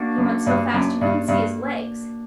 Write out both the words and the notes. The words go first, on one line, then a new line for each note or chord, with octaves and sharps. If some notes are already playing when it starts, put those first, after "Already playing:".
He went so fast you couldn't see his legs.
Already playing: A#3 D4 F#4
F#2
G2
F#2
G2
G2